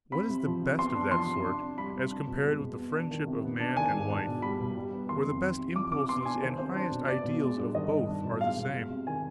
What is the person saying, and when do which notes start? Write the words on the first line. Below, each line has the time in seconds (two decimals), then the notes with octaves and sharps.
What is the best of that sort, as compared with the friendship of man and wife, where the best impulses and highest ideals of both are the same?
0.12 C4 B5
0.29 C3
0.46 F3
0.62 C3
0.79 B3 C6
0.95 D4
1.11 F3 C6
1.28 C3
1.45 D4
1.61 C3
1.78 G3 B5
1.94 C3
2.11 D4
2.27 B2
2.45 G#3
2.60 B2
2.77 B3
2.95 D4
3.11 D#3
3.27 C3
3.44 B3
3.60 D4
3.77 D#3 G#5
3.94 G#2
4.10 D4
4.27 B2
4.42 G3 B5
4.60 B2
4.77 G3
4.93 B3
5.09 D#3 C6
5.26 F2
5.42 C4
5.59 C3
5.76 F3 D6
5.91 C3 D6
6.09 B3 C6
6.25 D4 G#5
6.42 D#3 C5
6.58 C3 C5
6.75 D4
6.91 B2
7.08 B3 D5
7.24 B2
7.42 G#3
7.58 G2
7.74 D#3 D#5
7.91 G2
8.08 D4
8.24 B2
8.41 G#3 F5
8.57 B2
8.74 G#3
8.90 C3
9.07 D#3 G#5